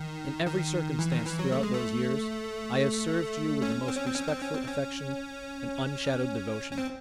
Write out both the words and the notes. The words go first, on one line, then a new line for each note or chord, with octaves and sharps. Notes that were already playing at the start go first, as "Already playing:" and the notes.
In every circumstance throughout those years I have served you with the most respectful affection and unshadowed devotion.
Already playing: D#3
D#3
E3
D#3
E3
F#3
A3
G#3
A3
C#4
C4
C#4
C4
C#4
C4
C#4
C4
C#4
C#4
C4